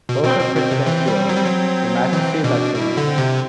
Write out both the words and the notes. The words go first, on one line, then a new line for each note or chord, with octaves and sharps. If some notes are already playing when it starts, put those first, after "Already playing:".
Both are printed in Keil, "Grammatici Latini".
B2
B2 C4
B2
B2 C4
C3
E3
G3
F#3
G3
F#3
E3 C4
B2 D4
B2 E4
D3
C4
C3